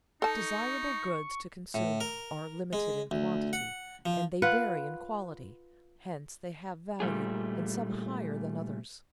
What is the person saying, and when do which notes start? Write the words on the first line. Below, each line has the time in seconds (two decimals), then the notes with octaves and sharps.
Desirable goods to consume are limited in quantity, and they vary in quality; hence they have value and some higher than others.
0.22 D#4 A4 A5 C#6
1.74 A2
2.01 A#4
2.73 G#3
3.11 D2
3.53 F#5
4.06 F3
4.42 F4 B4 F#5
7.00 A#2 G3 A3 G#4